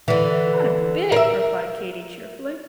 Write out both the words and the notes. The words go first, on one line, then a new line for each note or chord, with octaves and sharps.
"Not a bit!" replied Katy, cheerfully.
D3 E3
A#4 E5